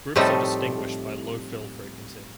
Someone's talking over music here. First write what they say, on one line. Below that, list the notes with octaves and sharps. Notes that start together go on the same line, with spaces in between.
Groups are distinguished by low fill frequency.
A2 F3 G3 A3 C4 D#4